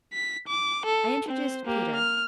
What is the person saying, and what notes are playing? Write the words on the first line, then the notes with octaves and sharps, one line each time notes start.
I introduced Peter.
B6
D6
A4
C4 C5
A#3 G4
F6